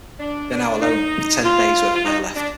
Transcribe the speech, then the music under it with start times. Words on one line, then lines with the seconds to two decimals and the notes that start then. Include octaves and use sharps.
They are now alone, with ten days' worth of air left.
0.20 D4
0.51 D4
0.81 D#4
1.43 F4
1.95 F4
2.04 D#4
2.35 D4